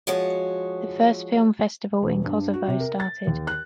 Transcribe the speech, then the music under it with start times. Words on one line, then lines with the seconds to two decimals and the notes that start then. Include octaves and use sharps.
The first film festival in Kosovo started.
0.07 F3 G#3 F#4 C#5
2.02 E1
2.24 G2
2.54 F#4
2.68 C3
2.80 A#4
3.00 A6
3.27 D#2
3.47 F#6